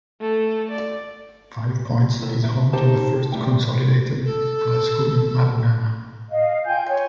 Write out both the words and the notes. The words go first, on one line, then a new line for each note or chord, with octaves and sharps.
Five Points is home to the first consolidated high school in Alabama.
A3 A4
D5
D#2 A2 A3
E5
D#2 D#4 G4 C5 A5
G2 G3 A3 G5
A4
D#5 F5
F4 G5 G#5 G6
C#5